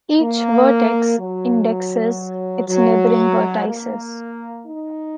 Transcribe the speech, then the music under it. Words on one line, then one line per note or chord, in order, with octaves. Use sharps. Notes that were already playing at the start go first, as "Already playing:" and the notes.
Each vertex indexes its neighboring vertices.
A#3
F#3
F#3
A#3
D#4